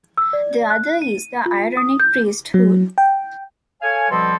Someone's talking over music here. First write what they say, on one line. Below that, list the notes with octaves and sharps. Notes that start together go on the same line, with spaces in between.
The other is the Aaronic priesthood.
E6
D5
F#6
D#7
F4
D#6
G6
F#3
G5
A4 C#5 F5 G#5
B2 F3 G3 C4 A4 C6